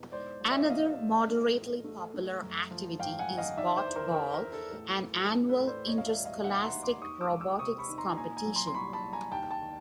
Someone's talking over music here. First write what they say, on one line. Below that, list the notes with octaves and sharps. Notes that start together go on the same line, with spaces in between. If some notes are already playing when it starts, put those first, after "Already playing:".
Another moderately popular activity is Botball, an annual interscholastic robotics competition.
Already playing: E2 B2
G#2 C5 D5
A#1
D5 E5
A#1 D#5 F5
G#2
A3
A1
A3
A3
F#2
F3
G#1 F5 G5
F#5 G#5
F#2
D#5 F5
D#3 D5 E5
C5 D5
E2
A#4 C5
E2 A#4
A#4
E2
A4
A1 A4
A1
A1
A4 B4
A2
C5 D5
E1 C#5 D#5
F5
D5 E5
G3
D#5 F5
D#2 E5 F#5
A#5 C6
D#2
C6 D6
D#3 C#6 D#6
D6 E6
C#2
D6 E6
C3 C#6 D#6
B5 C#6
D#3
A#5 C6
A#2 G#5 A#5
G#5 A#5
F#3
A#5 C6
C6
C2 B5 C#6
A5 B5
C2
G#5 A#5
D#2 G5 A5
G5 A5
D#3